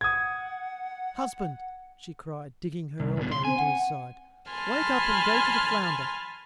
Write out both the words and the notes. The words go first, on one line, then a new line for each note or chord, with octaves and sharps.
Husband!" she cried, digging her elbow into his side, "wake up and go to the flounder.
F#5 D#6 G#6
C2
D2 B2
C6
C4 G#5
F#5
G#5 A5 B5 C6 F6